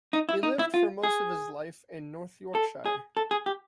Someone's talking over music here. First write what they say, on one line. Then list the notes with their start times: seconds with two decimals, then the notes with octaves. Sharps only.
He lived for most of his life in North Yorkshire.
0.13 D#4
0.29 E4
0.43 D#4
0.59 E4
0.74 F4
1.03 G#4
2.55 A4
2.86 G#4
3.17 A4
3.31 G#4
3.46 G4